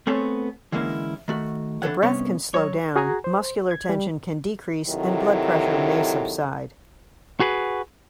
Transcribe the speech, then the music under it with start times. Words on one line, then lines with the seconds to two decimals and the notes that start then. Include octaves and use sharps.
The breath can slow down, muscular tension can decrease and blood pressure may subside.
0.07 A3 B3 C4 G#4 A4 C#5
0.72 D3 E3 G#3 A#3 C#4 E4
1.28 D#3 A3 F#4
1.82 E3 D4 E4 A4 C#5 F#5
2.02 G2 C3 B3 C#4 C#5
2.54 F#3 C#5
2.96 F#4 G#4 F#5 G#5 A#5
3.24 C5
3.71 G#6
3.89 G3
4.88 C3 D#3 F#3 E4 A4
7.40 F#4 G#4 B4